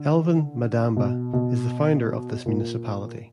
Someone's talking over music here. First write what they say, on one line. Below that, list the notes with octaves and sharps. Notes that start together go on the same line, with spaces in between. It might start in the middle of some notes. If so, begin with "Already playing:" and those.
Elvin Madamba is the founder of this municipality.
Already playing: D3
B2
B2
A#2